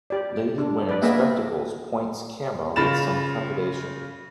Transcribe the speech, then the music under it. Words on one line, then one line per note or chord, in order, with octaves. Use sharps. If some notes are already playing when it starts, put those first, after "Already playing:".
Lady wearing spectacles points camera with some trepidation.
G4 D5
D4
B4 D5
A#3 B3 G#4 D#5 E5
C#3 F4 B5 A6 E7